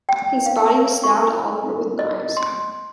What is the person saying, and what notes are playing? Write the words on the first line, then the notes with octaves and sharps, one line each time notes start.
His body was stabbed all over with knives.
G5
F5
C#6
D#5
C6